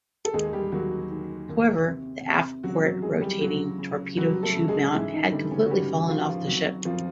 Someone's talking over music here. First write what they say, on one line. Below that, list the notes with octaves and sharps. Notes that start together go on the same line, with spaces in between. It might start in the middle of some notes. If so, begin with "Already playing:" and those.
However, the aft port rotating torpedo tube mount had completely fallen off the ship.
A4
D#2 G#3 G#4
G3 G4
D#2 F#3 F#4
D#3
D#2
C3
C3
C#2 F#3 F#4
F#3 F#4
E3 G#3 G#4
G3 G4
C#2 F#3 F#4
C#3
F#3 G3 F#4
A3 A4
C#3
G#3 G#4
G#2 E3 E4
D#3 D#4
D3 G3 D4
C#3 C#4
F#4
G#2 G3 G4
F#4
D#3 F3 F4
F3 F4
F2 F#3 F#4
F2 F3 F4